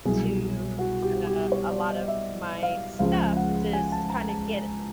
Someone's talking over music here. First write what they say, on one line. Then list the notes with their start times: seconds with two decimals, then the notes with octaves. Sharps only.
to a a lot of my stuff to s kind of get it
0.05 C2 B2 F#3 G#4
0.79 F#4
1.02 G4
1.27 G4
1.52 C#5
1.70 D5
1.89 D#5
2.08 E5
2.63 F5
2.99 C#2 C#3 F3 G#3 F5
3.36 F#5
3.73 G#5
3.92 A5
4.10 A#5
4.29 A5